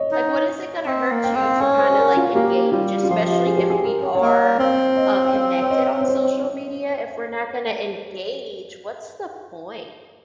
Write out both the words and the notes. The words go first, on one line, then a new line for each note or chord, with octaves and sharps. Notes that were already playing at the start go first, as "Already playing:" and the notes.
like, what is it gonna hurt you to kinda, like, engage, especially if we are, uh, connected on social media. If we're not gonna engage, what's the point?
Already playing: C#5 D#5
D#4
C4 D#5
A#3
G5
C4
F5
C#4 C#5
C5
G#4
A#4
F4
A#3 G4
G3 F4
F4
F3 G4
G#4
G4
G#4
A#4
C#5
C#5
A#3 D#5
C4 F5
D#5
G5
F5
C#5
D#5
C#5
C5